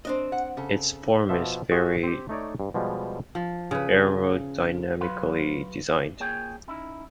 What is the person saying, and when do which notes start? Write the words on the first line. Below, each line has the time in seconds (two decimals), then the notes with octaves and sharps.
Its form is very aerodynamically designed.
0.05 C4 D4 D#5
0.32 F#5
0.57 C#3 A4
1.29 B2 F3 E5
1.71 F#4 G#4 C5 D#5
2.03 C4 G4
2.29 A3 D#4 C#5 D5
2.60 G2
2.74 B2 F3 G3 G#3
3.35 F3
3.71 C#3 B4
5.00 F#3 F#4 B4 F5 B5 C6
6.20 A#3 F4 G#4 C#5 G5
6.68 C#4 D#4 E4